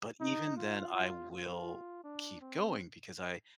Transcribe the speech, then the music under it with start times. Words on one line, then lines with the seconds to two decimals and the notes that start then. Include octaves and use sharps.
but even then, I will keep going because I
0.20 D#4
0.57 F4
0.94 F4
1.31 F4
2.04 D4
2.41 C4